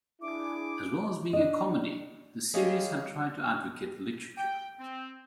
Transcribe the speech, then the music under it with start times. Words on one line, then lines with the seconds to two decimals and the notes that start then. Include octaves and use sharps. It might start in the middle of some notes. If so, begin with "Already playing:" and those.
As well as being a comedy, the series had tried to advocate literature.
0.22 D4 E4 G#4 D6
1.33 D4 D#5
2.54 G3 G#4 C#5 D#5 F5
4.37 G5
4.80 C4